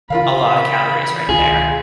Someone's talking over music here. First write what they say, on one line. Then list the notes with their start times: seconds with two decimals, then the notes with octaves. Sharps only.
a lotta calories right there."
0.10 C#3 E3 F4 A#4 F5 B5
1.29 C#2 B2 D#3 F4 G#4